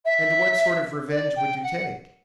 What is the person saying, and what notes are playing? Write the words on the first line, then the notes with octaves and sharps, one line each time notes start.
"And what sort of revenge would you take?"
E5
D5
G5
F#5